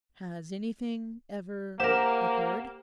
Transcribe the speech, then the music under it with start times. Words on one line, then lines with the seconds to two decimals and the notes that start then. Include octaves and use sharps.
'Has anything--ever--occurred?'
1.80 A#3 G4 A#4 C5 F#5 E7